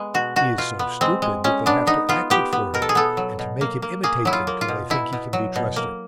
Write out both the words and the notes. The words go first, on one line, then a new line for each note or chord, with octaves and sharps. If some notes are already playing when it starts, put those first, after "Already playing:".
He is so stupid that they have to act it for him, and to make him imitate them till they think he can be trusted.
Already playing: G#3 B3
B2 F#4
B2 F#4
B2 F4
B3
G#3 C4
G#3
G#3 C#4
B3 D4
B3 D#4
B3 F4
B3 G4
B3
B2 A#4
A4
G#4
B3 A4
F#3
B2
A#3
A#3
A#3 G#4
F#3 E4
F4
A#3
F4
B2
B2 E4
B2
F#3
B2
A#3